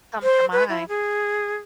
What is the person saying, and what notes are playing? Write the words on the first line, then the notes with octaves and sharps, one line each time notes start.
comes to mind.
C5
B4
E4
G#4